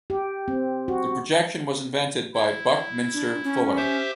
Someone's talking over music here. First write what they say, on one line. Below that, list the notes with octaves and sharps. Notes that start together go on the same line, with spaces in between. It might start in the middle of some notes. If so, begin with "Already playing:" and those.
The projection was invented by Buckminster Fuller.
G4
C4
F#4
E4
D4
C#4
G4 C5 E5